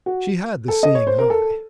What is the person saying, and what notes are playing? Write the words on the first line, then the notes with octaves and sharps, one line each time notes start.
She had the seeing eye.
F#4
A4
D#5
C#5
C5
A#4
A4